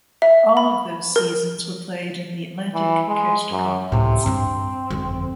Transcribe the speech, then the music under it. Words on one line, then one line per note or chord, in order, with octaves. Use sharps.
All of those seasons were played in the Atlantic Coast Conference.
E5
B5
A#4
E3
G#3
F#2
C#2 A2 C3
G2 C4 D4
G1 F2